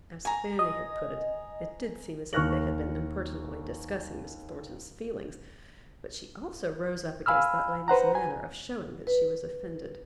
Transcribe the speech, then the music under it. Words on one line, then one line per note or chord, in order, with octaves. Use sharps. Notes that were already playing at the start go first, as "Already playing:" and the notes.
As Fanny had put it, it did seem as if they had been impertinently discussing Mrs. Thornton's feelings; but she also rose up against that lady's manner of showing that she was offended.
G#5 A#5
D#5
D#2 C#6 F6 F#6 A#6 F#7
F5 G#5 B5 E6 F6
B4 C5 F#5 A#5
G#5
B4